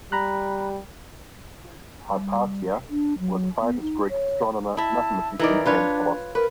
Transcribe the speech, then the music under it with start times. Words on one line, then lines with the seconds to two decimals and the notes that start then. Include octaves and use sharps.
Hypatia was a famous Greek astronomer, mathematician, and philosopher.
0.12 G3 A#5 B5 F#6
2.12 G3
2.90 D4
3.19 F#3
3.61 B3
3.82 D#4
4.09 C#5
4.77 E4 E5 A5
5.39 E3 D#4 A#4 D5
5.66 D4 F4 B4 C#5
6.35 A#4 B4